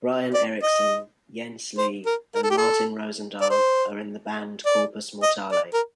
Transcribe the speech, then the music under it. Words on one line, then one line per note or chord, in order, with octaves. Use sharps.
Brian Eriksen, Jens Lee and Martin Rosendahl are in the band Corpus Mortale.
D5
D#5
C5
A#4
A#4
A4
G4
A4
D5
C5
D5
D#5
D5
A#4